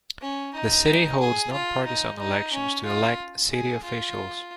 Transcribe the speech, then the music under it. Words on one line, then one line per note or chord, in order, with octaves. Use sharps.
The city holds non-partisan elections to elect city officials.
C#4
D#4
G#4
F4
D#4
D#4
C#4
F4
G#4
F4